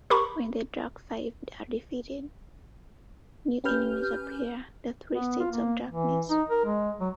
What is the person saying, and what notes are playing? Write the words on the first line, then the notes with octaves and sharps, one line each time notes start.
When the Dark Five are defeated, new enemies appear: the Three Seeds of Darkness.
G4 A#4 A#5 B5 C#6
C#4 G4 B4 F6 G6
B3
F4
A#3
E3
D#4
A#4
G#3
F#3